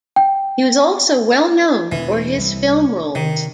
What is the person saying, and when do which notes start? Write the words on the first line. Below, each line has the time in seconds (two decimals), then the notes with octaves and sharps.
He was also well known for his film roles.
0.16 G5
1.92 E1 E3
2.37 C2
3.15 C3 D#3